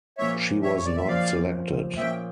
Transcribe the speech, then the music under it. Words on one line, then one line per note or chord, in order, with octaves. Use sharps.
She was not selected.
A#2 F3 C#4 C#5 E5
C#5 E5
C#5
D5
E5
A#2 F3 C#4 D5 F5
A#2 F3 C#4 E5 G5